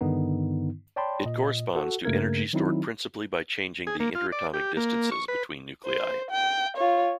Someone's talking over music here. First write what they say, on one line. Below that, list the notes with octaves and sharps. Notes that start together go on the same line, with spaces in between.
It corresponds to energy stored principally by changing the inter-atomic distances between nuclei.
G2 D3 D#3 B3 D#4
C#5 D5 G5 A5 B5 C6
A#2 D#5
F#4 A4 F#5
G2 C#3 A3 A#3 A#4 G#6
D#3 F#3 C4 D#4 E4
G#4
A#3
F4
D5
G4
A#3
C#6
B4
C5
G5
F4 C#5